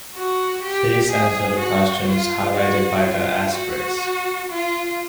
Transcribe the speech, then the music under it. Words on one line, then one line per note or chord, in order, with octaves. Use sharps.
Please answer the questions highlighted by the asterisk.
F#4
G4
G#4
F#4
F4
F#4
F4
F#4
F4